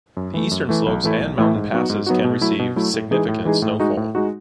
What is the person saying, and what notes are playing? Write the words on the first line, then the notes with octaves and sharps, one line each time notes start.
The eastern slopes and mountain passes can receive significant snowfall.
F#2
E3 A3
F#2
E3 A3
B1
A2 E3 A3 E4
B1
A2 E3 A3 E4
G#2
F#3 B3 D#4 F#4
G#2
F#3 B3 D#4 F#4
B2
F#3 A3 E4
B2
F#3 A3 E4
A2
E3 G#3 D#4 G#4
A2
E3 G#3 D#4 G#4
A2
G#3 D#4 F#4
A2
G#3 D#4 F#4